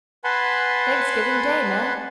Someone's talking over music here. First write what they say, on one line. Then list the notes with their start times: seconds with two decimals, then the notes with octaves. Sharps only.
'Thanksgiving Day, man!
0.24 B4 F#5 G#5 A5 B5 C6